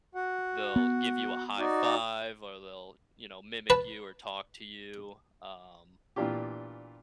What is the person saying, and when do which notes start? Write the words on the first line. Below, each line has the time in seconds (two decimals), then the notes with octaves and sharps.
they'll give you a high five, or they'll, you know, mimic you or talk to you, um
0.15 F#4 F#5
0.76 B3
1.58 D#4 F#4 D5
3.70 B4 A5
6.16 A#2 E3 B3 D4 F4 G4